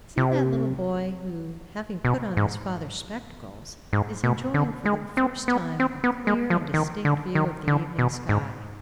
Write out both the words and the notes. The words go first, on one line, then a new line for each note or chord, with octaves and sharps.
See that little boy, who, having put on his father's spectacles, is enjoying for the first time a clear and distinct view of the evening sky.
C3
B2
G#2
G#2
B2
D3
G#3
C4
B3
C4
B3
G#3
F3
D#3
D3
D#3
D3
B2
G#2